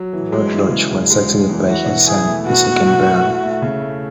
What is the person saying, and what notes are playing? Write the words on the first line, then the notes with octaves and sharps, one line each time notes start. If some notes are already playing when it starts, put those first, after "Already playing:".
Lord Loch was succeeded by his son, the second Baron.
Already playing: F#3
E3
G#3
E3
C#3
E2
G#3
G#3
E2
E4 F#4
B2
E4 G#4
A3
B2 F#4
B2
B2
A3
E4
A3
C#3
A3